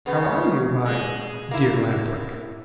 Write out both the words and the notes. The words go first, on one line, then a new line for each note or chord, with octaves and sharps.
"How are you, my dear Lamp-Wick?"
C#3 B3
G#3
A#3 E4